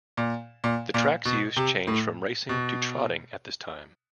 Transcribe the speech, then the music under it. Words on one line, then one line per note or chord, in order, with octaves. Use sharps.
The track's use changed from racing to trotting at this time.
A#2
A#2
A#2
B2
C3
A2
B2